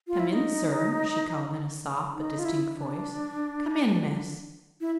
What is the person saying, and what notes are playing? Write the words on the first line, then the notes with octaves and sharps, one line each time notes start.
"Come in, sir," she called in a soft but distinct voice; "come in, miss."
F4
E4
D#4
D#4
F4
E4
D4
E4